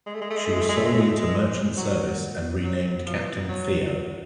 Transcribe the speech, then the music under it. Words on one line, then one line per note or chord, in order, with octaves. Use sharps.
She was sold into merchant service and renamed Captain Theo.
G#3
A3
G#3
A3
G#3
A3
G#3
A3
G#3
A3
G#3
A3
G#3
A3
G#3
F#3
F#3
F3
E3
F3
E3
F#3